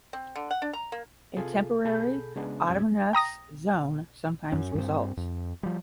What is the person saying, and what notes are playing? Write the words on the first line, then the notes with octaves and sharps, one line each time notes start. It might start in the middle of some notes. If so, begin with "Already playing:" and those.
A Temporary Autonomous Zone sometimes results.
C4
D3
F#5
D4
A#5
A#3
C3 F4 G#4 A4
B2 G#4 A4 B5 G6
C#3 G#3 B3 D4
F2 B2 G3 C#4 E6 G#6
G5 A#5 D#6 A#6
F#2 C#4
G2 C4
F2
F3 G3